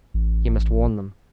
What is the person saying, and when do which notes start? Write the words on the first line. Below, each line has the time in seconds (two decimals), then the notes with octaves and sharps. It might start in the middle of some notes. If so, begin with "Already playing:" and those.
He must warn them.
0.14 A1